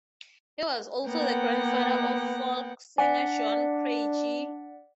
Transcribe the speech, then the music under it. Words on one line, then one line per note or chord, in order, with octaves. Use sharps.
He was also the grandfather of folk singer John Craigie.
A#3 B3 F#5 G5
D4 D5 F#5 G#5 B6